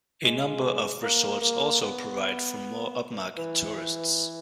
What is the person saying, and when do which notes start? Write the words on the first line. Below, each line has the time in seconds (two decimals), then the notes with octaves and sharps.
A number of resorts also provide for more upmarket tourists.
0.24 G#3
1.02 A#3
1.41 A#3
1.82 B3
3.38 E3